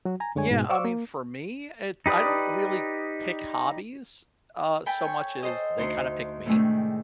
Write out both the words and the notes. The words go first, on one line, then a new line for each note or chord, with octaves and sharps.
Yeah, I mean, for me, it's I don't really pick hobbies, uh, so much as they kinda pick me,
F#3 F#4
G#5 A#5
F#2 D3 G#3 C#5 G#5
G#2 B2
C5 D5 F5 C#6 D6 E6
A#3
D#4 G4 B4 D5 D#6
A4 G5 G#5 B5
C#5 C#6
A4 C5 D#5
D2 D#4 C6
A2 C3 D#3 G#3 A3 D4